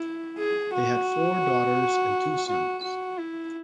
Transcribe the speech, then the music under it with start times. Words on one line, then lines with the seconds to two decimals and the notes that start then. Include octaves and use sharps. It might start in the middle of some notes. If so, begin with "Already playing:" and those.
They had four daughters and two sons.
Already playing: E4
0.38 G#4
0.74 F#4
2.48 F#4
2.84 F#4
3.19 E4